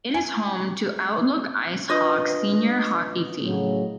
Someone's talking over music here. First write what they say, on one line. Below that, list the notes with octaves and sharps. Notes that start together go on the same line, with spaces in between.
It is home to the Outlook Ice Hawks senior hockey team.
G#5
D4 F4 B4 D#5
A2 C#3 F#3